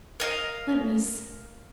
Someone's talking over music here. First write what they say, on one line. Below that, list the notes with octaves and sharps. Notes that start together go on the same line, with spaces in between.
Let me see.
A#4 D#5 F5